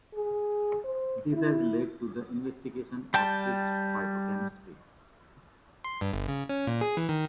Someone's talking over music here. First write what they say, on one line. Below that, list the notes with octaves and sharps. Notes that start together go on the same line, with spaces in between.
This has led to the investigation of its phytochemistry.
G#4
C5
E4
G3 G5 A5
C6
G2
G1
C#3
C#4
A#2
G#4
E3
D#3